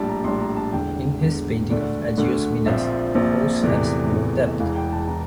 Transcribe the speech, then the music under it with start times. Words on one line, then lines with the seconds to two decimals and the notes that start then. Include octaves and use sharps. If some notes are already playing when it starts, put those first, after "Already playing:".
In his painting of Agios Minas the horse has more depth.
Already playing: A#1 A2 G3 D4 A5
0.08 A#5
0.24 A#1 A2 G3 D4 C6
0.41 A#5
0.57 A5
0.73 E1 E2 D3 G5
1.21 E1 E2 D3
1.70 D2 D3 A3 D4 D5
2.17 D2 D3 A3 D4
2.66 A#1 A#2 F3 C4 E5
3.15 A#1 A#2 F3 C4
3.62 E2 C3 E3 A3 D5
4.11 E2 C3 E3 A3
4.59 E1 E2 E3 F5
4.76 G5
4.92 A5
5.08 E3 A#5